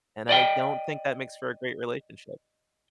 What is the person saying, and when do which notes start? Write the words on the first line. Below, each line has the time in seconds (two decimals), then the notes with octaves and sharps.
and I don't think that makes for a great relationship.
0.29 D5 D#5 G5